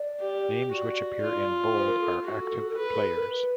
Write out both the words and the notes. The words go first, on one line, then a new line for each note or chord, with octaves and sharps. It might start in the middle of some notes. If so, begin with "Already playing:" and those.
Names which appear in bold are active players.
Already playing: D5
G4
F#4 D5
F4
C5
A#4
A4
A4
F#4
B4
G#4
A4
A#4
B4